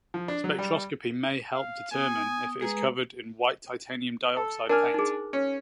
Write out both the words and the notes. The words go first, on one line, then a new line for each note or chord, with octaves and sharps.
Spectroscopy may help determine if it is covered in white titanium dioxide paint.
F3
D4
F#3
G3
F5
B3 G#5 D#6
G#3 G#4 B4 A#5
A4
D4 A#4 G#5 F6
D#4 G#4
C#4